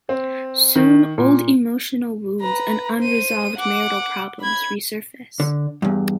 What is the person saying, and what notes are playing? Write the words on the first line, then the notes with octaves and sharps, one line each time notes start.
Soon old emotional wounds and unresolved marital problems resurface.
C4
D#3
A#2
B4 A#5
C5 D#7
F#5 D6
B5 G#6
D3
E2 G2